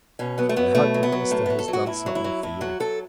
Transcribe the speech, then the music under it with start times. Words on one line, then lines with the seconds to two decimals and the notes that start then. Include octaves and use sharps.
I hope, the minister has done something for you.
0.19 B2 C#4
0.38 F#3 B3
0.49 A3
0.56 F#3 B3
0.75 B2 A3
0.94 F#3
1.03 B3
1.12 F#3
1.31 A2 A3
1.46 F#3 B3
1.59 A4
1.68 F#3
1.73 F#4
1.86 A2 E4
2.06 F#3
2.15 E4
2.24 F#3
2.43 A2 E4
2.61 F#3 F#4
2.80 F#3 A4